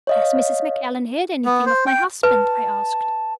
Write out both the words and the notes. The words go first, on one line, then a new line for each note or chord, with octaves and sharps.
"Has Mrs. Macallan heard anything of my husband?" I asked.
C#5 D#5 F5
B3
C5
G5
B4 A5